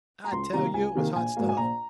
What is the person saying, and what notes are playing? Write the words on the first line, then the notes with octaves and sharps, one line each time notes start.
I tell you it was hot stuff.
A#5
C#2 C6
C3 D#3 A#3 A#5
C#2 G#5
C3 D#3 A#3
A#1 G#5
G#2 F#3 A#3
G#5
A#1 A#5